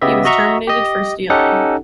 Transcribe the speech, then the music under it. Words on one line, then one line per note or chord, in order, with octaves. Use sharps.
He was terminated for stealing.
C#3 B3 G4 D#5 E5
F#4 D#5 E5 A#5 C#6
G4 D#5
C#4 D#4 G4 A4 F#5